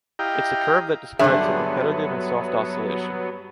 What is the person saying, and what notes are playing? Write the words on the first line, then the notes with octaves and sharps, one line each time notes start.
It’s a curve that describes a repetitive and soft oscillation.
E4 G4 D#5 F5 G5 A#5
G2 D3 F#3 B3 G#4 E5